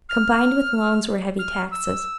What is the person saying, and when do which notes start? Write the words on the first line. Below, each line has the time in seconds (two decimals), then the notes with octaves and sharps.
Combined with loans were heavy taxes.
0.09 F6
1.38 F6
1.71 E6